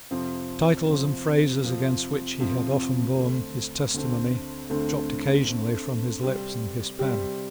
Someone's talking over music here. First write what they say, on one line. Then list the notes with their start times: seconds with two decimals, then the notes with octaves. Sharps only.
Titles and phrases against which he had often borne his testimony dropped occasionally from his lips and his pen.
0.11 F2 C3 F3 C4
0.87 F2 C3 F3 C4
1.64 F2 C3 F3 C4
2.40 F2 C3 F3 C4
3.16 D2 D3 A3 C4
3.94 D2 D3 A3 C4
4.69 D2 D3 A3 C4
5.46 D2 D3 A3 C4
6.23 C3 G3 C4 G4
6.99 C3 G3 C4 G4